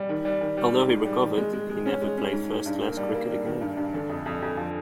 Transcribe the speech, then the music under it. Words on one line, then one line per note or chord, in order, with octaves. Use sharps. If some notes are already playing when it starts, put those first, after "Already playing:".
Although he recovered, he never played first-class cricket again.
Already playing: G3
D#3
G3
D#3
G3
G#2
G#2
G3
D#3
G#3
G#3
G#3
C#4
G#3
C#4
G#2
G#2
G2
A#3
G3
A#3
G3
D#3
G2
G2
D3
F2
F2
F2
F3